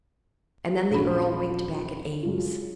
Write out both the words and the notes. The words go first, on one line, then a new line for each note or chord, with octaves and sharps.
And then the earl winked back at Eames.
D#1 A#1 F#4 B5
F#3 G#3 F4